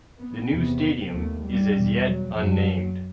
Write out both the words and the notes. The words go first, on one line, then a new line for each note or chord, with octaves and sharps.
The new stadium is as yet unnamed.
B3
E2 C3 B3
D#2 A3
G3
E2 B2
F#3
F#2 F#3